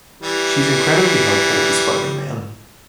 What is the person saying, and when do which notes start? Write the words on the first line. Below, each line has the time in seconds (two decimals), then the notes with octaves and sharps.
She's incredibly helpful to Spider-Man ...
0.22 E3 G3